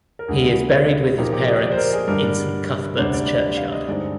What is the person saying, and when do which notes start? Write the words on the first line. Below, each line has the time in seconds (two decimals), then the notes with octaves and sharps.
He is buried with his parents in St Cuthberts Churchyard.
0.19 A#4
0.28 D2 D3 G3 G#4
1.18 A#2 F3 A#3 D#4 G4
1.33 G4
1.48 D#5
1.64 D5
1.72 C5
1.78 A#4
1.93 G#4
2.07 G2 D3 G3 D4 A#4
2.97 D2 C3 G3 D4 C5
3.13 D5
3.27 D5
3.57 F5
3.72 D#5
3.88 G2 D3 G#3 C4 D#4 D5